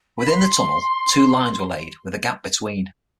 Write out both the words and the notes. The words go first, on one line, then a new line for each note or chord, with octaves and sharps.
Within the tunnel, two lines were laid with a gap between.
B5
C6